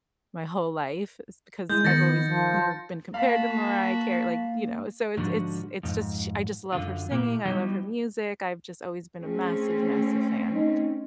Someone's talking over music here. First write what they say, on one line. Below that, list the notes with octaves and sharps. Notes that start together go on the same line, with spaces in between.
my whole life. It's because I've always, you know, been compared to Mariah Carey, like, you know, so it's it's it's just sh I just love her singing. I love her music. I've just always been a massive, massive fan.
G#3 E4 G6
D#3 B3 A6 A#6 C#7
F3
A#3 F#4 F5 A5 B5
G#2 D3 F3 D4 F#4
F2 G#2
F#2 D3 F4
A#2 A#3 E4 F4 G4
F#3 G3 B3 D#4 E4 G4
A3 C4 C#4 G#4
D#4